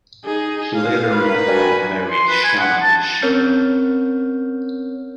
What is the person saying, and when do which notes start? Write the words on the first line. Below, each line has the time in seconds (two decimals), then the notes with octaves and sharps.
He later met and married Shanna the She-Devil.
0.25 D#4 G#4
0.75 F5
1.09 A#4 B4
1.47 G2 G3 F#4 G#5
2.10 C6
2.28 B4
2.44 G#5
2.60 F#5
2.82 A5
3.22 C4 C#4 A#4 C#5 F6 G6